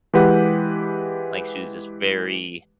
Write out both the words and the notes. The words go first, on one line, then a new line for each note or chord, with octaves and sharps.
Like, she was just very,
E3 G#3 G4 B4 F#5